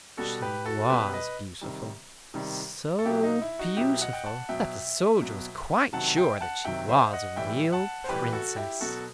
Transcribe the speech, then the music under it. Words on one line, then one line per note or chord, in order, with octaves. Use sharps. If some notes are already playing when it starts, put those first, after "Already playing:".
She was beautiful, so beautiful that the soldier was quite sure that she was a real Princess.
B2 G3 F#4 A4
G4 B4
F#4 A4
B2 G3 G4 B4
B4 D#5
C3 D#3 G3
C3 D#3 G3
A4
B2 F#3 E4 G4
D#4
E4
D#4 F#4
B2 F#3 E4 G4
D#5 F#5
G5
F#5 A5
B2 F#3 E5 G5
B2 F#3
C3 D#3 F#3 F#5 A5
E5 G5
F#5 A5
C3 D#3 F#3 E5 G5
C5 E5
D#5 F#5
A2 E3 G3 E5 G5
F#5 A5
C5
A2 E3 G3 G4 B4
F#4 A4
E4 G4
B2 F#3 F#4 A4